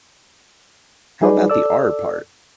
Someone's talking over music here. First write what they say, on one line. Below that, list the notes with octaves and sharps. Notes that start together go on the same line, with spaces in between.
How about the R part?
G3 D#4 G#4 B4 D5
A4 D5 E6